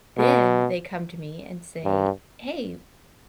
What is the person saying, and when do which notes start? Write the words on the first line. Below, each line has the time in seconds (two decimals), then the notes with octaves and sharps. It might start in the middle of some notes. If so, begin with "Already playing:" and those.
Then they come to me and say, "Hey,
0.18 B2
1.84 G2